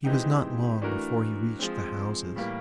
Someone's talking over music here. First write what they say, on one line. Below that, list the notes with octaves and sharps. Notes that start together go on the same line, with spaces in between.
He was not long before he reached the houses.
E3 G#3 C4 D#4 G4
E3 A3 D4 F#4 A#4
F3 G#3 C4
A2 E3 G3 A#3